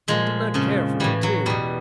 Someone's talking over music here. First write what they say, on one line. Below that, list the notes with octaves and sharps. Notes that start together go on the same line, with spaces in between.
He did not care for fatigue.
A#2 F3 G#3
F2 C#3 F3
A2 E3 G3
F#3
E2 B2 G3